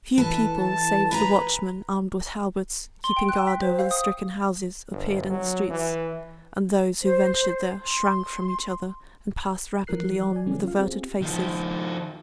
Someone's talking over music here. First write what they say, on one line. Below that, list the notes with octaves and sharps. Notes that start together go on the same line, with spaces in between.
Few people, save the watchmen, armed with halberts, keeping guard over the stricken houses, appeared in the streets; and those who ventured there, shrank from each other, and passed rapidly on with averted faces.
E3 A4 B4
A5
B4 G#5 A#5 B5
C6
G5
F#6
B6
C5
F5
D#6
G1
F#3
E3
C5
C6
E3 F3 A#4 F#6 C7
D5 G#5
C#3 E3 F#3 A3 B3 C#4
F4 F5
C4 G4 G#4
D#3 F3